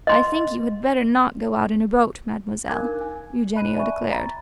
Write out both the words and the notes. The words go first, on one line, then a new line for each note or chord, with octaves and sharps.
"I think you had better not go out in a boat, mademoiselle," Eugenio declared.
D#5 C6
A#4 F5 G#5 D6 F#6 G#6
D4 D#4 A#4
G#5
D#5 B5 F#6 D#7
D5 E5 G#5 A5 B5 C#6
A#5 B5 A6